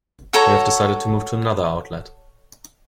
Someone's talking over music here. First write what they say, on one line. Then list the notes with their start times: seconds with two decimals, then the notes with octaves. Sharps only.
We have decided to move to another outlet.
0.33 F#4 A4 C#5 A#5